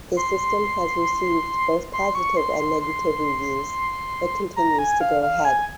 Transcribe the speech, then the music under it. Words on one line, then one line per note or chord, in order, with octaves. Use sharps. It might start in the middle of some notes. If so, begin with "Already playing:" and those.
The system has received both positive and negative reviews but continues to go ahead.
C6
C6
C#6
C6
C6
C6
A#5
G#5
F5
F5
G#5